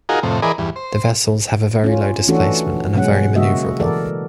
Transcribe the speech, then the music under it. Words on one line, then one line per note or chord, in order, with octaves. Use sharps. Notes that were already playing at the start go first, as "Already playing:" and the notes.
The vessels have a very low displacement and are very maneuverable.
D#4 F4 F#4 G#4 A#4
F2 A2 C3
E3 G#4 A#4 B4 D5 D#5
E2 G2
C5
C#4 F4
E3 A3 C#4 D4 F#4 A4
B2 F#3 G#3 C#4 F#5
C#3 A#3 F#4 D#5 E5
E3 A4 A#4 D5